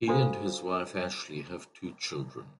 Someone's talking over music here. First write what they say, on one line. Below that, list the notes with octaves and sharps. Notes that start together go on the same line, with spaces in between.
He and his wife Ashley have two children.
D4 F4 F#4 A4 C5 F5